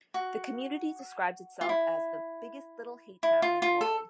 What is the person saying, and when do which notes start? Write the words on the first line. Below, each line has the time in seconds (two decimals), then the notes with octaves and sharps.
The community describes itself as the "Biggest Little Haytown in the World".
0.14 F#4
1.61 F4
1.69 E4
3.23 E4
3.42 F4
3.62 F4
3.81 A4